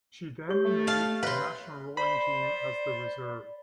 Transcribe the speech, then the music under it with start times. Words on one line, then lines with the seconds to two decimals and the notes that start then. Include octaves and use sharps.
She then made the national rowing team as the reserve.
0.49 G4 C#5 C#6
0.65 A3
0.87 F5 A5
1.23 B4 C#5 E5 F5 C6
1.97 C5 D5 B5